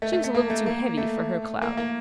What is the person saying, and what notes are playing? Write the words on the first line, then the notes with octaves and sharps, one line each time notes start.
She was a little too heavy for her cloud.
A3
A3
A3
A#3
A3
A#3
A3
A#3
A#3